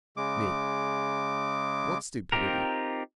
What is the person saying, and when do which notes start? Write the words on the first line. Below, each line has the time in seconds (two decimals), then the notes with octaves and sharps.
ME: What stupidity?
0.17 C#3 G#3 D6
2.32 C4 D#4 F4 G4 A#4